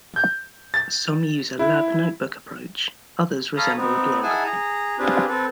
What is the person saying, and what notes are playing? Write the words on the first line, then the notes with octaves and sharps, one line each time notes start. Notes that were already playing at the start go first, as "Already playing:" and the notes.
Some use a lab-notebook approach, others resemble a blog.
G6
A6
E4
A4 C#5 F5 A#5 B5 D#6
B3 C4 D#4
D#4 E4 G#4 F#5 G#5 A5
G#4 A#5
C4 D4 F4 G4 G#4 B4
C4 A4 B4